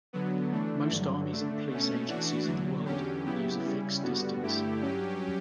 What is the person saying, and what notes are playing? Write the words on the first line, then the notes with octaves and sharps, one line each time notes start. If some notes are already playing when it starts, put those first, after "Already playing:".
Most armies and police agencies of the world use a fixed distance.
D3 F#3 B3
E3 A3 D4
G2 D3 F#3
D3 A3 D4
B2 A3 C#4
E3 A3 D4 F#4
E2 D3 F#3
E2 D3 F#3 C#4 G4
C#3 F#3 B3 E4 G4
C#3 G3 C#4 E4
G2 D3 G3 B3 F#4
G2 D3 A3 E4 G4
G2 F#3 C#4 G4